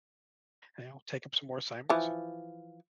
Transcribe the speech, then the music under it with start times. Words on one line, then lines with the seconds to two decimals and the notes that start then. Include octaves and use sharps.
and I'll take up some more assignments
1.90 E3 F3